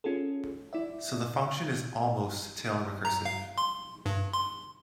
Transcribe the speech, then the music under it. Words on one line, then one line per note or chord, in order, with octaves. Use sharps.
So the function is "almost" tail-recursive.
C#4 F4 G#4 A4
E4 D5 E5
A#5
F5
C6
G2
C6